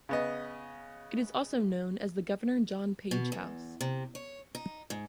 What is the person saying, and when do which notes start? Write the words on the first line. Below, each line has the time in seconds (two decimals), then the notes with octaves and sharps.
It is also known as the Governor John Page house.
0.09 C#3 B3 D#5
3.11 B2
3.32 E2
3.81 C3
4.15 C#5
4.55 D#4
4.90 G#2